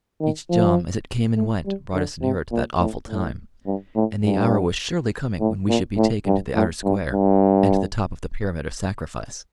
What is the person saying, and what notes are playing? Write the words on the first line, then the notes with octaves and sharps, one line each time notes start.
Each jom as it came and went brought us nearer to that awful time, and the hour was surely coming when we should be taken to the outer square and to the top of the pyramid of sacrifice.
D#3
F3
A3
G3
D3
C3
A#2
A2
A2
G2
A2
G2
A2
A#2
A2
G2
A2
G2
G2